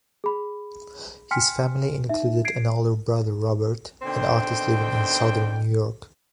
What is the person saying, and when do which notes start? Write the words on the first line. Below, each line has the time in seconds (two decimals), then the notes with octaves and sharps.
His family included an older brother Robert, an artist living in southern New York.
0.24 G#4 B5
1.31 G5 G#5 C6 F6 B6 C#7
2.09 D#4 E5
2.45 G#6 C7 D7
4.02 B2 D3 D#3 C4 G5